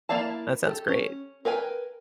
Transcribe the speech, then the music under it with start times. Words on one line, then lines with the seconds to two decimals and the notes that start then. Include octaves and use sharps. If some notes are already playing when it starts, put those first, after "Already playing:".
That sounds great.
0.09 A#3 E4 D5 F5 A5
0.63 G4 A4
0.88 C#4
1.45 A#4 B4 G5 G#5